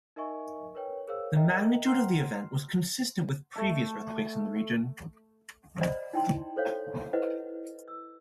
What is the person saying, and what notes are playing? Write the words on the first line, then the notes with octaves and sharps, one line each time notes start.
The magnitude of the event was consistent with previous earthquakes in this region.
D#4 A#4 D#5 E5 G#5 C#6
A#4 B4 C#5 G5
G#4 A#4 C5 C#5 F5 E6
A#4 D#5 E5 G5 A#5
F#5 G5 A#5 C6 F6 C7
A3 A5
C5 D5 D#5 F#5 A#5 B5
D#4 E4 G5 A5 C6
A4 C5 C#5 F5
E4 B4 C5 D#5 F#5
E6